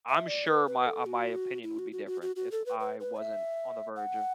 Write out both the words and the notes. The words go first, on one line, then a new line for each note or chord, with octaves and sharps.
I'm sure my, uh, my opinion would be different, if I wasn't on the verge of
E5
D5
B4
B4
A4
F#4
E4
F#4
F#4
F#4
F#4
F#4
A4
B4
B4
B4
E5
F#5